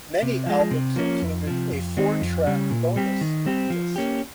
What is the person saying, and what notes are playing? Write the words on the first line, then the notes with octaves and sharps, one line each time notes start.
Many albums included a four-track bonus disc.
C3
F3 G#3
C3
F3 A#3 C#4
F2
C3 F3
F2
D#3 G#3 C4 D#4
F2
C#3 G3
A#2
G3 C4 G4
D#3
G3 C4 G4
F3
A#3 C#4 G4